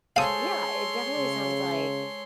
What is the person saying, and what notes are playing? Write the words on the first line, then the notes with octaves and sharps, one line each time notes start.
Yeah, it definitely sounds like
G#3 A4 C5 C#5 F5 C6 D#6
C#3